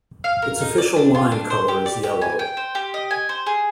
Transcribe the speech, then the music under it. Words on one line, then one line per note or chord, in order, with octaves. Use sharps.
Its official line color is yellow.
F5
A#4
D#4
D5
D4
F4
D4
C5
G4
D5
G4
G#5
G5
C5
G4
D#5
G#5
C5
G#4